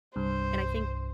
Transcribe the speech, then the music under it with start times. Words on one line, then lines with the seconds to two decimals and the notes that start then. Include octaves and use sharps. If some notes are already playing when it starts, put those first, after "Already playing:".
and I think
0.16 C2 G2 C5